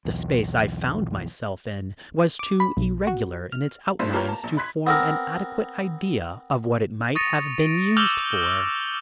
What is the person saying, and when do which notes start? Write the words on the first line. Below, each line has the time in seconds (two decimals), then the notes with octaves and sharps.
The space I found myself in was too irregular in its outlines to form an adequate idea of what it might have been used for.
0.05 B1 E2
2.39 D6
2.60 B5
2.77 B1
3.07 F#4
3.52 F6
3.99 G#1 G2 A3 C4 E4 C6
4.13 A#3 F4 G4 A#4 B4 C#5
4.28 A5 A#5
4.43 A#1
4.57 B5 C6 F#6 G#6 B6
4.87 B3 C4 A#4
7.15 C#6 D#6 A6 A#6 C#7 D#7
7.60 D7
7.97 D6 E6 F6 G6 F7 G7